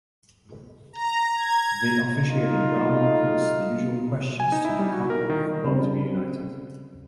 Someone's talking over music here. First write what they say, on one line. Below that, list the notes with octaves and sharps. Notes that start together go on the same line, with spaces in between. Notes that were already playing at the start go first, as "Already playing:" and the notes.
The officiating Brahman puts the usual questions to the couple about to be united.
A#5
G#6
A3 D#4 F4
G#5
D#4
E4
G3
F#4
A#4
D#3
C#3 G3 C4